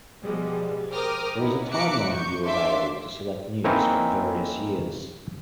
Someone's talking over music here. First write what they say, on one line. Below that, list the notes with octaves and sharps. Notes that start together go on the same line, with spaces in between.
There was a timeline view available, to select news from various years.
B2 F3 G3 G#3
A#4 C5 G5 D6 D#6 F6
B3 D#4 E4 B4
E5 A#5 D6 F#6 C#7
C#6 G6
D4 E5 F5 C6 D6
A#3 C4 C#4 D#4 E4 B4